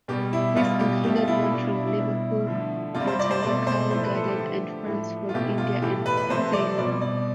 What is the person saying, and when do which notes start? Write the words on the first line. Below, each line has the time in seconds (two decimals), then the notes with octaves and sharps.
These included ones from Liverpool Botanical Garden and ferns from India and Ceylon.
0.08 B2 G3 G4
0.33 E4
0.56 B2 G3 F4
0.80 G4
1.04 B2 A3 G4
1.16 F4
1.28 E4
1.40 E4
1.52 B2 G3 D4
1.64 E4
1.76 D4
1.87 E4
2.00 B2 G3
2.47 D3 F3 A3
2.95 C3 G3 F4
3.07 C5
3.19 D5
3.31 C5
3.42 B2 A3 D5
3.67 C5
3.91 A2 F3 A3 C5
4.03 B4
4.15 A4
4.27 G4
4.38 D3 F3 A3
4.86 A2 F3 A3
5.29 F4
5.34 B2 A3 G4
5.58 F4
5.81 A2 E3 A3 G4
6.06 B4
6.17 B4
6.29 C3 F3 A3 C5
6.53 D5
6.77 B2 G3 D5
7.01 D5